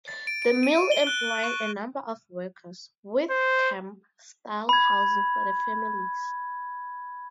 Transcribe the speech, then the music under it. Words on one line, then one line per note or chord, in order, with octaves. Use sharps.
The mill employed a number of workers, with "camp" style housing for the families.
A6
D7
D7
D#7
G7
F#6
C#6
C5
B5 G#6